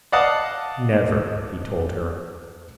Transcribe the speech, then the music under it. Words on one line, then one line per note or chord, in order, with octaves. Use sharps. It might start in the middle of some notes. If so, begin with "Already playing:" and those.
"Never," he told her.
D5 D#5 F5 F#5 A5 D#6